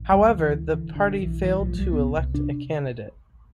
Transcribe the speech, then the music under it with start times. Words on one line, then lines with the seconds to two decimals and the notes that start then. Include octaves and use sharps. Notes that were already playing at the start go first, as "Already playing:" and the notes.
However, the party failed to elect a candidate.
Already playing: A1
0.11 D2 G3
0.30 D3
0.39 E3
0.48 D2
0.67 D3 E3
0.86 E1
0.96 D3
1.04 E1
1.22 B1 E3
1.41 A2 E3
1.60 B1 F3
1.79 C2 G3
1.93 B2 B3
2.16 C2
2.34 C3 D4